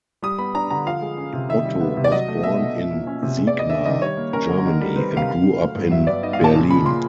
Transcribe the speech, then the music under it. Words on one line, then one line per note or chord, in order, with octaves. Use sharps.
Otto was born in Siegmar, Germany, and grew up in Berlin.
G3 D#6
B3 B5
D4 A#5
D3 A#5
F3 F5
G#3
C#4
C3
D#3 E5
G3
B3
C3
D5
F#3 D#5
A3
B2 E5
B2
F3
A#3
C#4
C3
G#3
D5
B3 D#5
D4 E5
D#3 D#5
G3 C#5
A#3
C#4 A#4
D3
D#3
G3
C4 B4
C3 F5
D3
F#3
A3
G2
F#3 E5
B3 D5
D#4 D#5
F5
A#2
A5
C#3
F3 B5
A#3 C6